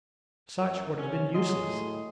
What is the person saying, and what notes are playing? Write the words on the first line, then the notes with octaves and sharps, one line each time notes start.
Such would have been useless.
F#2
C3 C#4
F#3 G#4 D#5 C6
A2